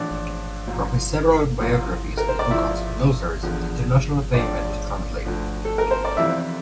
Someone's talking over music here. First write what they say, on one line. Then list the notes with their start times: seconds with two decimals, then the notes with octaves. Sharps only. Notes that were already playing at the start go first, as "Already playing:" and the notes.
From his several biographies, his book on Spinoza received international fame, and was translated.
Already playing: A#1 A2 E3 D4 D5
0.67 C2 A#2 F3
1.59 C2 A#2 F3
2.17 A#4
2.28 C5
2.39 D5
2.51 A#1 A#2 F3 E4 E5
3.42 E2 D3 F3
4.34 A#1 A2 F3 D4 D5
5.25 D2 D3 F3
5.65 A4
5.78 A#4
5.91 C5
6.05 D5
6.17 F2 C3 E3 E4 E5